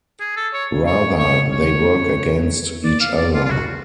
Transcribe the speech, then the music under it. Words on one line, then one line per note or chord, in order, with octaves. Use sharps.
Rather, they work against each other.
G#4
A4
C#5
C#5
C#5
C#5
D5
F5
D5
F4
F4
F#4